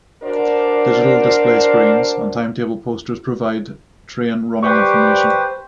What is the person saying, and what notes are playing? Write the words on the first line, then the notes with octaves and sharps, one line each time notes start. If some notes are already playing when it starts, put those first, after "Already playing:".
Digital display screens and timetable posters provide train running information.
D4 F#4 A#4 C5 D5
G3 G4 B4 C5 G5 C#6